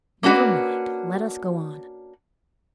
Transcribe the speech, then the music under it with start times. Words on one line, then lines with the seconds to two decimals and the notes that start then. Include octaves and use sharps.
"Never mind; let us go on."
0.23 A#3 C#4 D4 F#4 B4